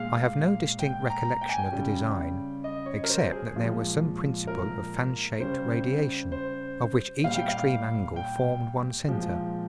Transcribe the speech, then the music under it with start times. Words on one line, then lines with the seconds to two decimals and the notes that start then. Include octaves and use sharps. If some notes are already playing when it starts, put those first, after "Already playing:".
I have no distinct recollection of the design, except that there was some principle of fan-shaped radiation, of which each extreme angle formed one centre.
Already playing: A#2 G#3 F5
0.79 G5
1.10 A#5
1.41 G5
1.49 G#5
1.58 G5
1.72 C#3 G3
2.64 D#5
2.86 C#5
3.04 A#4
3.09 C5
3.32 G#4
3.56 A#2 F3 G#3
4.47 A#4
5.39 C#3 G3 C5
6.32 C5
7.24 A#2 G3 F5
7.36 G5
7.48 F5
8.16 G5
9.08 A#2 F3 G#3